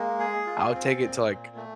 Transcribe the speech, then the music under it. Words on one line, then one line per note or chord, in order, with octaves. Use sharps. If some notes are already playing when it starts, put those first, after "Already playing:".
I'll take it to, like,
Already playing: G#3 A#3
G#4
F4
C4
A#2
A#2
A3